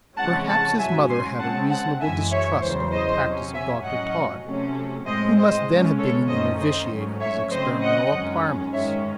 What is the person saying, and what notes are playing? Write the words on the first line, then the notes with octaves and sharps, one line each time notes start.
Perhaps his mother had a reasonable distrust of the practice of Dr Todd, who must then have been in the novitiate of his experimental acquirements.
C3 E3 G#3 C#4 F#5 A5
F#5 A5
G#2 F#3 C#4 E5 G#5
G#5 C6
C#3 G#3 C4 F#5 A5
F#5 A5
F#2 E3 G#3 E5 G#5
C#5 E5
E2 C#3 F#3 C5
C5 D#5
C3 F#3 C#4
E5 G#5
A2 F#3 C#4 D#5 F#5
C3 F#3 A3 C#4
A2 G#3 C4 C5 D#5
C5 D#5
C#3 G#3 C#4
A4 C#5
F#2 D#3 F#3 A3 C#4 C5 D#5
C5 D#5
G#2 F#3 A3 C#4
C#5 E5
C#3 F#3 C4 C5 D#5
D#5 F#5
F#2 D#3 G#3 C#4
G#2 D#3 G#3 C#4 C#5 E5